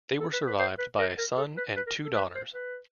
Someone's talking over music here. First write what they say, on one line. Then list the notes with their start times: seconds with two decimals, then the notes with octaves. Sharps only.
They were survived by a son and two daughters.
0.20 A4
0.33 B4
0.47 B4
0.59 C5
0.79 B4
0.98 A#4
1.18 A#4
1.37 A4
1.57 B4
1.77 B4
1.87 A#4
2.05 A4
2.15 B4
2.35 C5
2.54 B4